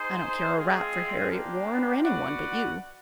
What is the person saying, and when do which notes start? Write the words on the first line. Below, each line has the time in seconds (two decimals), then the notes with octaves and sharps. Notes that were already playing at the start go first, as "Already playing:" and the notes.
I don't care a rap for Harriet Warren or anyone but you.
Already playing: D#4 G#4 C5
0.57 G#3 C4 F4 G#4
1.29 A#3 D4 G4 C5
2.02 F#4 B4 D5 F#5